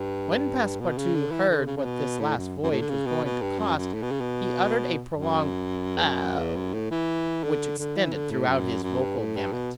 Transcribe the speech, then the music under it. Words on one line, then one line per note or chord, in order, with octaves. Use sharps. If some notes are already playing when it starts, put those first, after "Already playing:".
When Passepartout heard what this last voyage was going to cost, he uttered a prolonged "Oh!" which extended throughout his vocal gamut.
Already playing: G2
B2
C#3
D3
E3
D3
C#3
C#3
B2
A2
F#2
F#2
A2
D3
C#3
B2
B2
G2
F#2
F#2
A2
B2
C#3
B2
F#2
E2
F#2
E2
F#2
A2
E3
D3
D3
E3
D3
A2
F#2
F#2
G2
A2
G2
B2